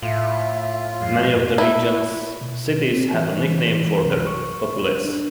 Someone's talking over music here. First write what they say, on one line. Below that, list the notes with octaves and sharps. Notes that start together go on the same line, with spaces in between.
Many of the region's cities have a nickname for their populace.
A2 F4 E5
F2 G#2 F5
E4
B2
C4
E3
E3
C2
C#6
D4